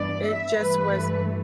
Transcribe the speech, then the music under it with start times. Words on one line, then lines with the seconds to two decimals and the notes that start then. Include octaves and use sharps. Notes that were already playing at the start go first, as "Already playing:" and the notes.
it just was
Already playing: G2 E3 B3 D4 D5
0.25 E5
0.57 G2 E3 A3 B4